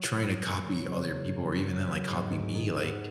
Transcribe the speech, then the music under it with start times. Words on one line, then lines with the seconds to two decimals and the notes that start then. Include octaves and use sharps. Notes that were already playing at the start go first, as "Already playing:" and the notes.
trying to copy other people or even then, like, copy me. Like,
Already playing: F#3
0.17 A#3
0.41 F#3
0.64 C#3
0.88 F#3
1.13 A#3
1.35 A#3
1.59 F#3
1.83 B3
2.08 G#2
2.31 G#2
2.55 D#3
2.78 B3